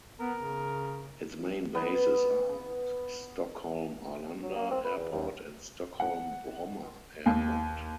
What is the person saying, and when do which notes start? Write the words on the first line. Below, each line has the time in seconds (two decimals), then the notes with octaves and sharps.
Its main bases are Stockholm-Arlanda Airport and Stockholm-Bromma Airport.
0.20 B3 A#4
0.38 C#3
1.74 B3 B4
4.43 F#3
4.56 A#3
4.71 C4
4.84 B4
4.97 E2
5.12 D#2
6.00 F#5
7.26 D#2